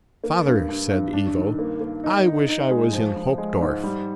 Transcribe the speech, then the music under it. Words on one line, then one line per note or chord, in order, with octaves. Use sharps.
"Father," said Ivo, "I wish I was in Hochdorf."
A#3
G2
G2
G2
D4
D#3
A#3
A#3
D#4
D#4
D#4
G#3
F3
F3
G#3
G#2
G3